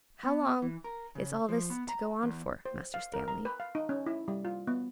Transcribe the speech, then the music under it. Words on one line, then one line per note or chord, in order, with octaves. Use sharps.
'How long is all this to go on for, Master Stanley?'
B3
E3
A#4
C#3
F3
B3
A#5
E2
C5
F5
A#4
A#5
B4
F5
D#4
C#4
E4
G3
F4
B3